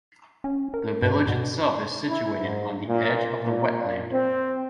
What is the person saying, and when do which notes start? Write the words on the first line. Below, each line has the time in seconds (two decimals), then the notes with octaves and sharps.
The village itself is situated on the edge of the wetland.
0.44 C#4
0.74 A#4
1.02 G2
1.29 B2
2.08 E4
2.39 G#2
2.87 A#2
3.42 A#2
4.12 C4